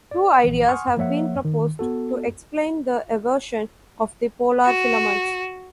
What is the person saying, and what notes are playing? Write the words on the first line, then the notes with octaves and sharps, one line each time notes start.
Two ideas have been proposed to explain the eversion of the polar filaments.
D5
A#1 E3
F#5 G#5 C6 C#6 D#6 F6
F3 A#3 C#5 E5 F#5
D#3
B3 F#4 A4
F#4